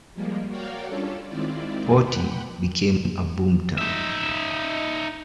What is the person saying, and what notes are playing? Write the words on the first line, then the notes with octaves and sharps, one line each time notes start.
"Portie" became a boom town.
F3 G3 G#3 A#3
F#4 A#4 C#5 D5 F5 G5
G3 C#4 D4 F4 A4 C#5
D#3 G#3 C4 E4 F4 D5
F#5 G5 B5
D#4 E5